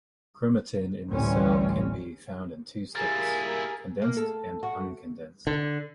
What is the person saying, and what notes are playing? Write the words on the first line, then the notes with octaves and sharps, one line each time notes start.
Chromatin in the cell can be found in two states: condensed and uncondensed.
A1 D2 E3 G3 C4 C#4
A#3 E4 G4 G#4 A#4 G#5 A6
A#3
A4
F#4
D3